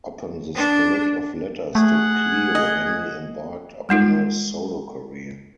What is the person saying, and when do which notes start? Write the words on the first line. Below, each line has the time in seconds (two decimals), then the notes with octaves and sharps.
Upon the split of Letters to Cleo, Hanley embarked upon a solo career.
0.56 D4
1.75 A3 G#4 F#5
2.55 D#5
3.89 G3 G#3 D#4 F4